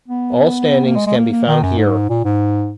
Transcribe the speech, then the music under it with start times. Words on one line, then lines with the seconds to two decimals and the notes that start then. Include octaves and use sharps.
All standings can be found here.
0.08 B3
0.85 A#3
0.96 G#3
1.06 G#3
1.17 A#3
1.32 A#3
1.48 D#3
1.62 F#2
1.78 G#2
2.09 A#2
2.25 G#2